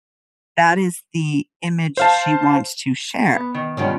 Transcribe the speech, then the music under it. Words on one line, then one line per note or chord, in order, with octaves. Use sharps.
that is the image she wants to share.
C5 F5 A5
B3
D#3
B2 D#3 G3 C#4 F4 F#5